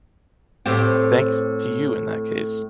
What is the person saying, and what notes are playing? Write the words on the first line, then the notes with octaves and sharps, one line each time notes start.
Thanks to you in that case.
A2 C4 G4